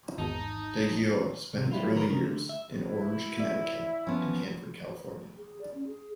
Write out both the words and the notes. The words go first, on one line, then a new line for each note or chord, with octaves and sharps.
DeGioia spent his early years in Orange, Connecticut, and Hanford, California.
G#1 E2 D#4 A5
D2 C3
F#3 G3 E4 F4
D#3 F#3 A#4 B4
C2 C#3 A#4
D3 A3
E5
E4
D5 E5
F3 B3 C#4
G#4
D5
C#4
G#4